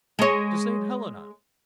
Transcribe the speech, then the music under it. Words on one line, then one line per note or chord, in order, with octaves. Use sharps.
"To Saint Helena."
G#3 C#5